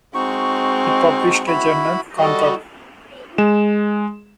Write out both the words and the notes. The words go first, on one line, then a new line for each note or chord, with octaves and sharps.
It published a journal, "Concord".
G#3 C4 D#4 F#4 C#6
E4 F#4 B5
G3 F#4 A4 D#5
G#3 E7